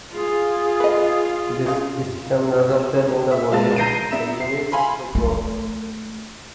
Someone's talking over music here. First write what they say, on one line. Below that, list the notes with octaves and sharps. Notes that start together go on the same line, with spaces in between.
This decision resulted in the volume "The Limits to Growth".
F4 G#4
B4 D#5
C#3 F5
E5
G#3 F5 A5 A6
A#5 G6 A#6 C7 D7 D#7
B3 E5 E7
C7
F5 G#5 B5 C6
A3